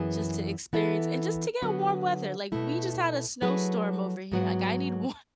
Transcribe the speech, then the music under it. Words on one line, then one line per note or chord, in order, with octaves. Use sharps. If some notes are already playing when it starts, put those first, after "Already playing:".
Just to experience and just to get warm weather, like, we just had a snowstorm over here, like I need wa
Already playing: F#2 E3 B3 E4 G#4
E3 B3 E4 A4 E5
D3 F#3 B3 F#4
B2 A3 E4
F#3 A3 E4 G#4 B4
G#2 F#3 B3 F#4